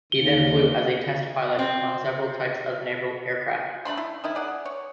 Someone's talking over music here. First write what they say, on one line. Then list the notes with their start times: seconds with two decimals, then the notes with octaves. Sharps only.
He then flew as a test pilot on several types of naval aircraft.
0.12 D#2 G7
1.59 C4
3.85 A3 D4 B5 C6
3.97 E4
4.24 D#3 D#4 E4
4.35 G#4 D5 F#5
4.65 C#5